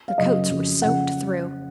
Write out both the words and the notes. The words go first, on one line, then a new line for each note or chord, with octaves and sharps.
Their coats were soaked through.
F5
F#2 C#3 F#3 D#5
F2 C#3 F#3
C#3 F3 F#5